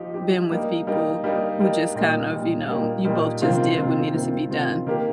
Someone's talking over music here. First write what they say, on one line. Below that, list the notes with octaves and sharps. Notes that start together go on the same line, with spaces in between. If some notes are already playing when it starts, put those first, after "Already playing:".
been with people who just kind of, you know, you both just did what needed to be done?
Already playing: F3 D#4 G4
F3 D#4 G4
G3 A#3 D#4
G3 A#3 D#4
G3 A#3 D#4
G3 A#3 D#4
A#2 G3 A#3 D#4
A#2 G3 A#3 D#4
A#2 G3 A#3 D#4
A#2 G3 A#3 D#4
C3 D#3 C4 F4
C3 D#3 C4 F4
C3 D#3 C4 F4
C3 D#3 C4 F4
D#3 A#3 G4